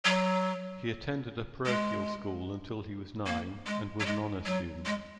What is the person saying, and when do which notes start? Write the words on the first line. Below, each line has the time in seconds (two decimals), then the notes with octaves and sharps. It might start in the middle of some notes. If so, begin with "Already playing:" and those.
He attended a parochial school until he was nine and was an honor student.
0.05 F#3
1.66 G#3
3.26 A#3
3.66 G#3
4.00 F#3
4.06 G#3
4.46 F#3
4.86 G#3